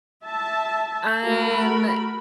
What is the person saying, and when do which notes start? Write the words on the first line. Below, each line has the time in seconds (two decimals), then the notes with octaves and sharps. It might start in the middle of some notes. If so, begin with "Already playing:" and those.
Um, eh,
0.23 E5 A5
1.23 A3 F#4 A#4 B5